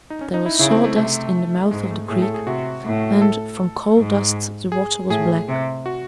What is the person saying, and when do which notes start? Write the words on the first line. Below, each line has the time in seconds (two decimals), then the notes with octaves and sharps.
There was sawdust in the mouth of the creek and, from coal-dust, the water was black.
0.10 D#4
0.21 C#4
0.34 D#4
0.46 E4
0.59 C#3 E4
0.71 C4
0.84 A3
0.96 C3 A3
1.71 G#2 G#3
1.91 A3
2.09 A2 G#4
2.22 A4
2.34 G#4
2.46 C3 F#4
2.85 A2
3.22 A4
3.97 G#2
4.72 G#4
5.09 A2 G#4
5.48 C3
5.86 F#4